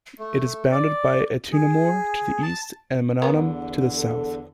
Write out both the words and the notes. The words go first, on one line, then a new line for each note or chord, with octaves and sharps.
It is bounded by Ettumanoor to the east and Mannanam to the south.
A3
D5
G#4
A5
E2 D3 A#3 B3
A4